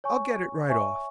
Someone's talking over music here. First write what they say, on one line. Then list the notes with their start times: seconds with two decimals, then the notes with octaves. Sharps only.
I'll get it right off.
0.04 C#5 G#5 C#6
0.68 C#5 E5 G#5 C#6